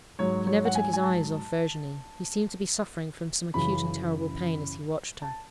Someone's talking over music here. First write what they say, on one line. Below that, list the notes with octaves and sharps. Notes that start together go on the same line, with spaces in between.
He never took his eyes off Virginie; he seemed to be suffering from some acute and terrible pain as he watched her.
G#2 F#3 C#5
C#5
F#5
G#5
G#5
A5
F#2 C#3 E3 B5
A5